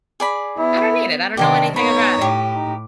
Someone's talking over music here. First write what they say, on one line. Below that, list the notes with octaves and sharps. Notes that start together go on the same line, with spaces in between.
I don't need it, I don't know anything about it.
G#4 D5 B5
B3 E4
C3 D#3 D4 G4 G5 C6
B3 D#4 C#5 B5
A2 G4
D#4